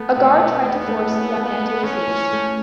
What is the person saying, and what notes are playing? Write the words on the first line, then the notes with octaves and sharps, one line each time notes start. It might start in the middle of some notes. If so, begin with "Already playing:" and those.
A guard tried to force the young man to his knees.
Already playing: A3 B3
B2
A3
E2
A3
C#4
A3
A3
E3 C#4
E3
A3